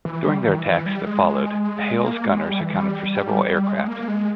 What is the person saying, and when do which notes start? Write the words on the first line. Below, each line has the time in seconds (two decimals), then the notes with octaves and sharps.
During the air attacks that followed, "Hale"'s gunners accounted for several aircraft.
0.05 E3
0.25 G3
0.48 D#3
0.58 E3
0.72 E3
0.86 G3
1.05 G#3
2.06 A#3
2.26 G#3
2.47 G3
2.60 E3
2.74 G3
3.68 G#3
3.88 A#3
4.08 G#3